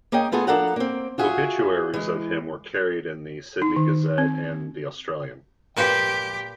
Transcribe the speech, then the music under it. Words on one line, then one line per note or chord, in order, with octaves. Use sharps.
Obituaries of him were carried in the "Sydney Gazette" and "The Australian".
A#3 C#4 G#4 D#5 G5
A3 B3 F4 G#4 A4
F3 D4 A4 A#4 F#5 A#5
A#3 C4
F4 F#4 G#4 E5
E3 G#3
D#4
D#3
C4
A#2 G4 B4 C5